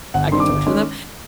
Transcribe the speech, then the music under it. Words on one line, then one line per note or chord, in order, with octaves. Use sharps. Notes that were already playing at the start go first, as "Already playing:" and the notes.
I could torture them,
G1 F#5
G2 D#3 G3 C4 C6
D6
G1
D#3 G#3 C#4